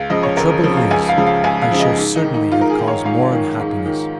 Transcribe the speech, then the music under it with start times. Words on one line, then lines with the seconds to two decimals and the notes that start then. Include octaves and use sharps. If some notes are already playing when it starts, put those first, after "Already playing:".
The trouble is I shall certainly have caused more unhappiness....
Already playing: C#2 F5
0.10 C#3 F3 D#5
0.23 C#5
0.37 C#2 A#4
0.50 A#4
0.64 C#3 F3
0.77 F5
0.90 C#2 G#5
1.09 F5
1.17 C#3 F3
1.26 F5
1.44 C#2 G#5
1.62 F5
1.71 C#3 F3
1.80 D#5
1.98 G#2
2.16 D#4
2.25 D#3
2.34 D#4
2.51 G#2 F4
2.61 A#4
2.70 G#4
2.78 D#3
2.87 C#5
3.05 G#2 F5
3.32 D#3
3.59 G#2
3.86 D#3